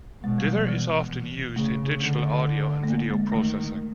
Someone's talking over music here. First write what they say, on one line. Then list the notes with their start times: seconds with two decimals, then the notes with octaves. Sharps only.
Dither is often used in digital audio and video processing.
0.23 B2 G#3
0.38 G3
0.53 F3
0.68 E3
1.56 C#3 A3
2.00 D3
2.84 A3
2.88 A#3
3.10 G#3
3.32 D#3 A3